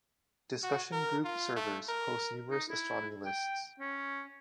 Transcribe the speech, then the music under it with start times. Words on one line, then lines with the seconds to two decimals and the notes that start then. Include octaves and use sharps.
Discussion group servers host numerous astronomy lists.
0.63 F#4
0.92 A#4
1.24 F4
1.56 A3
1.88 A#4
2.51 D#4
2.69 E4
3.26 G5
3.80 C#4